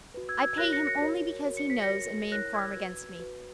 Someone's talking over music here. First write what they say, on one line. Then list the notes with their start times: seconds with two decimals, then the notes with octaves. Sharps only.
I pay him only because he knows and may inform against me.
0.14 F#4 B4
0.29 E6 G#6
0.43 E6 G#6
0.58 F#4 A#4 C#5 F#6 A#6
0.73 A#6 C#7
0.87 A#6 C#7
1.01 F#4 A#4 C#5
1.45 F#4 A#4 C#5
1.57 C#7
1.70 B6
1.82 A#6 C#7
1.89 F#4 A#4 C#5
2.32 E4 A#4 C#5 F#6 A#6
2.54 E6 G#6
2.76 F#4 B4
3.19 F#4 B4